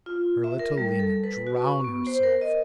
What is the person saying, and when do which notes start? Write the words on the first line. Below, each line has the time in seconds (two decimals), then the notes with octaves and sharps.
Her little Lena drown herself!
0.06 F4
0.44 E5
0.59 A#4
0.78 G3
0.99 A4
1.24 B4
1.47 F#4
1.62 C#6
1.84 B3
2.07 C5
2.23 A#4
2.41 D#5